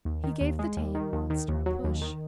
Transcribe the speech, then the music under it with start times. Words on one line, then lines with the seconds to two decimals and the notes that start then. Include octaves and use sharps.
He gave the tame monster a push.
0.05 D#2
0.24 D#3
0.41 D#2
0.59 G#3
0.77 D#2
0.95 D#3
1.13 D#2
1.30 D#3
1.48 D#2
1.66 F#3
1.84 D#2
2.02 D#3